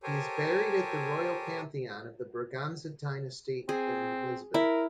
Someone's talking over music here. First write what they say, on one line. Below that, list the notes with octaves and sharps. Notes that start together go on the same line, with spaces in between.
He is buried at the Royal Pantheon of the Braganza Dynasty in Lisbon.
G4 A4 A#4 C5 C#5 G#5
C4 G#4
E4 A#4